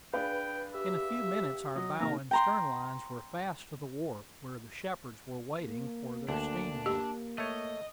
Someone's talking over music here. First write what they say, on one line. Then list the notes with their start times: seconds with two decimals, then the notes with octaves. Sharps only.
In a few minutes our bow and stern lines were fast to the wharf where the Shepards were waiting for their steam-yacht.
0.13 D4 G#4 B4 F5 G5
0.74 G4 E5
1.76 F#3 D#5
2.00 C3 A#3 D#4 A#5
2.31 G5 A#5 C6
5.62 A#3
6.29 D2 A#3 D4
6.86 G4
7.38 A3 C#5 D#5